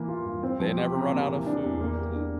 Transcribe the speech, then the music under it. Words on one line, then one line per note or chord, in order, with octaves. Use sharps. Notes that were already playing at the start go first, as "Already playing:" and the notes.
they never run out of food and
Already playing: E3 A#3
F4
G2
C4
F3
G4
C3
A#3
E3
D4
E2
A#3
G3
D4